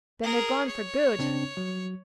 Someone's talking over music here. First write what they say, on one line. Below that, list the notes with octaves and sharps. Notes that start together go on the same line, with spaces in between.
"Then they are gone for good."
G#4 A#4
C#5
C#3 C4 D4
F#3